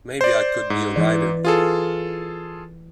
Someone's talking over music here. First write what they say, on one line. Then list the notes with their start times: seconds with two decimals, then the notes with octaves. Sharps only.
Maybe I could be a writer.
0.21 C5 D5
0.70 G#2
0.96 E3 D5
1.45 F4 G#4 A4